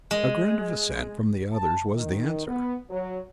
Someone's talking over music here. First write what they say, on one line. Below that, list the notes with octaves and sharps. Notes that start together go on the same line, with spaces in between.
A grunt of assent from the others was the answer.
G#3
A5
D#3
B3
F#3